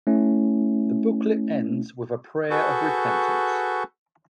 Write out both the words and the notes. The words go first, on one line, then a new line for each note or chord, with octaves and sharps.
The booklet ends with a prayer of repentance.
A3 C#4 E4
F#4 G#4 A4 B4 C#6 G6